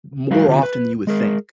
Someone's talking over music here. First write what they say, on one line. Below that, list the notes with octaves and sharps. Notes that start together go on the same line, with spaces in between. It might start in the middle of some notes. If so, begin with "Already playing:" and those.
more often than you would think.
F#3 G#3 F#4 B4 F5
D3 C4 F4 G4
B4
G#3 G#4 A#4